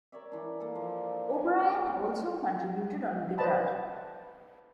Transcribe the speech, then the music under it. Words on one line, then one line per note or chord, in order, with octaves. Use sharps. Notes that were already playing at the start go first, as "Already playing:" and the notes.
O'Brien also contributed on guitar.
A#4 C#5 D5 E5
E3 D4
A#3 A4
F3
G#5
B3 C4 D4 C#5
B4 C5 D5 D#5 A5 B5